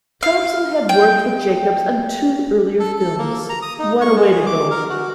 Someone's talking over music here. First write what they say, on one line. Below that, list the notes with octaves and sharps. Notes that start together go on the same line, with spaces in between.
Thompson had worked with Jacobs on two earlier films, What a Way to Go!
F5
G5
A4
A4
A#3
A#5
D#6
D#4
C#6
G#3
G#4
D6
A#4
F#4